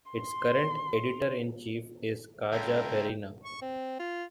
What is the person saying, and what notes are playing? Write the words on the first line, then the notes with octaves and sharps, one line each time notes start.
Its current editor-in-chief is Kaja Perina.
C6
C#2 F4 A4 E5 G5 A#5
C#6
C4
F4